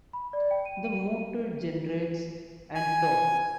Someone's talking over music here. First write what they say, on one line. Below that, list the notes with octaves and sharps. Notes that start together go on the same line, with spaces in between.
The motor generates and torque.
B5
D5
G5
D#7
D#7
G#5